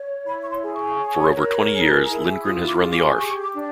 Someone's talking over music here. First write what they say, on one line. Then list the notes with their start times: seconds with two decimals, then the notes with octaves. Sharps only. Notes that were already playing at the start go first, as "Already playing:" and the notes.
For over twenty years, Lindgren has run the Arf!
Already playing: C#5
0.25 E4 B5
0.41 C#6
0.50 C6
0.62 G#4
0.74 C#6
0.99 C#5
1.34 A#4
1.71 G#4
2.07 E4
2.43 F4 D#6
2.68 D6
2.80 G#4
2.92 D6
3.16 G4 C#6
3.29 C#6
3.41 D6
3.53 D4